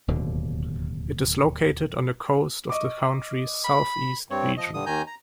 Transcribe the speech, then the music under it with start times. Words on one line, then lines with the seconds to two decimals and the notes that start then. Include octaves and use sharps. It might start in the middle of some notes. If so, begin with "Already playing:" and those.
It is located on the coast of the country's Southeast region.
0.08 D1 D#2 B2 D3
2.70 D#5 C#6 D6
3.64 B5
4.31 G2 C4 C#5
4.57 F3 D#5
4.74 G2 D3 D#6
4.86 D#2 D#3 G#5 A#5 G6
5.07 A#5